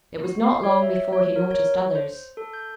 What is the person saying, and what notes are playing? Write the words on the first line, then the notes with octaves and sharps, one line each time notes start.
It was not long before he noticed others.
F#4
C7
C#5
E5
C#5
A#4
C#5
C5
A4
G6